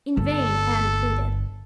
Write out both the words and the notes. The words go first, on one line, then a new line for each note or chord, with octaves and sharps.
In vain Anne pleaded.
G1 A4